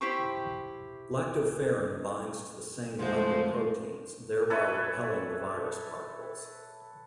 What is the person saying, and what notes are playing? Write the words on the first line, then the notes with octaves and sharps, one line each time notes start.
Lactoferrin binds to the same lipoproteins thereby repelling the virus particles.
E4 G4 C5 C#6
F2 D3 F3 G#3 A3 C5
A4 B4 C#5 E5